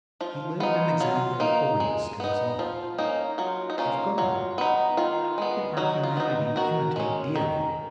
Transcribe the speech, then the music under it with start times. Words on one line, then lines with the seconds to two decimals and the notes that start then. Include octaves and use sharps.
He lived an example of holiness to us all: if God, how can our humanity imitate Deity?
0.21 F3 F4
0.60 B3 D#4 F4
1.00 F#3 F4
1.40 A#3 D#4
1.80 G#3
2.20 B3 D#4
2.59 F3 F4
2.98 A#3 C#4 D#4
3.38 F#3 F4
3.70 D#4
3.78 A#3 C#4 F4
4.18 F#3 F4
4.58 B3 D#4
4.97 D#3 F4
5.38 G#3 B3
5.77 F#3 D#4 F#4
6.03 F4
6.17 B3 D#4
6.30 D#4
6.56 D#3 F#4 A#4
6.96 G#3 C#4
7.35 D#3